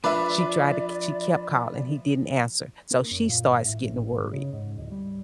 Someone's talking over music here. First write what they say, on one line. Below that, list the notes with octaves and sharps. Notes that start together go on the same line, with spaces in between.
She tried to k she kept calling. He didn't answer. So she starts getting worried.
F3 D4 B4 D5 E5
A#3
F#2
A#2
G#1
A2
A1
G#2
C#3
G#2
D1
G3